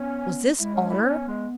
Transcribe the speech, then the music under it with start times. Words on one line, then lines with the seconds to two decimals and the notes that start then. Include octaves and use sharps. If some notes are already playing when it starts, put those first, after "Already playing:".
Was this honor?
Already playing: B3 C#4
0.59 G#3 E4
0.74 C#4
0.89 E4
1.04 B3 C#4
1.27 G#3